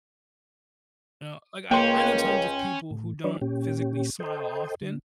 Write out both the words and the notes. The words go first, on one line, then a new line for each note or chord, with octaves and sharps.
You know? Like, I I know tons of people who don't physically smile often,
C#2 A#3 C#4 G5 C6
A2
F#3 D4 B4 C#5 D5
A#2 C#4 G4
A4 C5 D#5 G5
D3